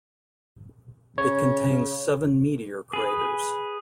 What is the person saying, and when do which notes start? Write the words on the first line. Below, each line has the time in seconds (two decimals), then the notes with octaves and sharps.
It contains seven meteor craters.
1.18 C#3 C#5
2.93 G#4 B4